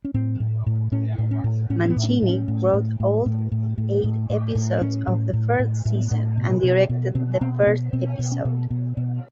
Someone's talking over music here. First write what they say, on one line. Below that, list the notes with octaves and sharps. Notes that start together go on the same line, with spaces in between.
Mancini wrote all eight episodes of the first season and directed the first episode.
C#4
A2 C4
A2
A2
A2 C#4
A2
C#4
A2
A2 C#4
C4
B3
A2
D4
C#4
A2
C#4
A2
A2
A2
A2
A2
A2
A2
A2
A2
A2 C#4
A2
A2
A2
A2
A2
B2
B2
B2
B2 C4
B2 C4
A#3
B2 B3
B2 C4
B2
C#4
B2
B2
B2